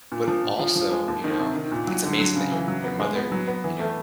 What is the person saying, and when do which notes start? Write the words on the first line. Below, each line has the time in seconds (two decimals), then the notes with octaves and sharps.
But, also, you know, it's amazing that your your mother, you know,
0.12 A#2
0.28 F3
0.44 A#2
0.59 F3
0.76 F3
0.92 G#3
1.08 D#2
1.24 D#3
1.40 C3
1.56 D#3
1.72 A#2
1.87 F#3
2.04 D3
2.19 F#3
2.36 C#3
2.52 E3
2.68 F#3
2.84 B3
3.00 G#3
3.15 B3
3.32 F#3
3.48 B3
3.64 E3
3.80 A3